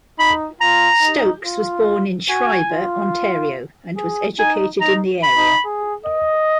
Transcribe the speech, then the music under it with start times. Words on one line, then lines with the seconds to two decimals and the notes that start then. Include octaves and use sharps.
Stokes was born in Schreiber, Ontario and was educated in the area.
0.19 D#4 B5
0.61 F4 A#5
1.02 D#4
1.45 F4
2.29 F#4 G#5
2.71 F4
3.97 G#4
4.39 D#4 G#5
4.81 D#4 A#5
5.23 B5
5.37 D#4
5.65 G#4
6.06 D#5